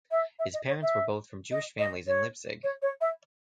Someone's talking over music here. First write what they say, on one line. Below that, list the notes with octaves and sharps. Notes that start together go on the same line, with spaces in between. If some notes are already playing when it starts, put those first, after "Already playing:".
His parents were both from Jewish families in Leipzig.
E5
E5
D#5
C#5
E5
D#5
D#5
C#5
C#5
C#5
E5